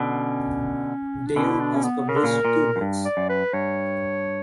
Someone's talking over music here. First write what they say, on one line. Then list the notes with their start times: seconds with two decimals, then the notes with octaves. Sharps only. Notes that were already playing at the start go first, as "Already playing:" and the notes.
Dale has published two books.
Already playing: B2 D3 C#4
1.27 D4
1.36 B2 D3 C#4
1.49 E4
1.60 D4
1.75 C#4
1.84 B3
2.09 C#3 A#4
2.16 D3
2.23 A#2 C#3
2.45 A#2
2.76 F#2
2.81 G2
3.05 D5
3.17 F#2
3.29 B4
3.53 G2 C#5